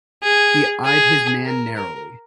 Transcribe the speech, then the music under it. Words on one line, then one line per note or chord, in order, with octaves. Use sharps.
He eyed his man narrowly.
G#4
G#4
A#4
A#4